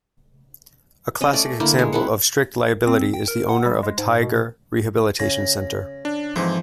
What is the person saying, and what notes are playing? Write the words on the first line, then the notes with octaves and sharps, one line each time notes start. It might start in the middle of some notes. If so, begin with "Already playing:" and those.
A classic example of strict liability is the owner of a tiger rehabilitation center.
C#4 D#5
A3 D5
D3 A3 A#3 E4
G#3
C4 E4 F#5
C4
G5
A#4
F#5
G3
G#3
G#2
B2
C#3 A#6
D4
F2 G#2 E3 F3